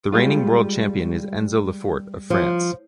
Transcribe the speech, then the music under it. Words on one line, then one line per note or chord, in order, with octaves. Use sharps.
The reigning World Champion is Enzo Lefort of France.
G3 G#3 F4
F3